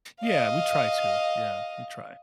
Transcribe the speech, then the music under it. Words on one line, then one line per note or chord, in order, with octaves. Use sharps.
Yeah, we try to. Yeah, we try.
D#5 F5